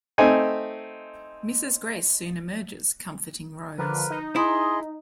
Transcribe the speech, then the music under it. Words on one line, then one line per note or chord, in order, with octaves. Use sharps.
Mrs. Grace soon emerges, comforting Rose.
A3 C4 D#4 G#5
D3 F3 A#4 B4
D#4
E4 G#4 D#5 C6